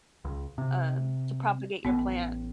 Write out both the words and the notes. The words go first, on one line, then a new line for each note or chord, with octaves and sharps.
um, to propagate your plant."
C#2
C3
A1 B3